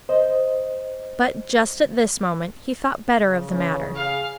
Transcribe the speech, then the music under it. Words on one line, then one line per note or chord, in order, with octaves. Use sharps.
But just at this moment, he thought better of the matter.
C5 D#5
C#3
E3 C#4
G#4 F5